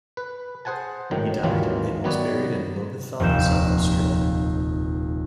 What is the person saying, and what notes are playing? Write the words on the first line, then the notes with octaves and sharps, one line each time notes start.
He died and was buried at Lobethal, South Australia.
B4
G#4 C5 F#5 G#5 A5
G#1 A2 D#3 F#3
G#1 D#2 D#3 E3 F#3 F4
D#3 F#3 B3 B4 C#5 D5
F1 D#2 A#2 G6 E7